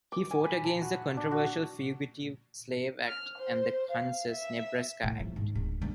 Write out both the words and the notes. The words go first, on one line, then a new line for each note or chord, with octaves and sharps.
He fought against the controversial Fugitive Slave Act and the Kansas-Nebraska Act.
D6
G#5
B5
A5
F#4
D4
F#4
F6
C5
F5
E5
A2
F3
G#2
D1
D2